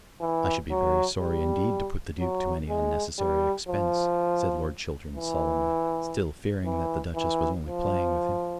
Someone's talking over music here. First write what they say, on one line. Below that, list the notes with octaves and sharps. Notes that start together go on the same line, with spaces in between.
"I should be very sorry indeed to put the Duke to any unnecessary expense," said Lord Chiltern solemnly,--still fearing that the Duchess was only playing with him.
E3
F#3
G3
F#3
G#3
G3
F3
E3
E3
E3
F3